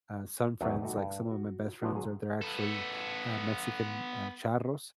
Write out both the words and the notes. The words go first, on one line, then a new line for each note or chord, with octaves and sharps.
uh, some friends, like, some of my best friends are they're actually, uh, Mexican, uh, charros,
E2 F#3 D#4 A#4 D5 G#5
G3 A3 D#4 F#4 G4
G2
F#4
F3 F#3 B3 D4 E4 F#4
F#3 G#4
B3 A4